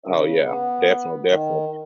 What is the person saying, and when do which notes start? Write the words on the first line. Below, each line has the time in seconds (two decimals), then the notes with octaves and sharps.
Oh, yeah, defin definitely.
0.08 C#3
0.44 B3
1.30 D#3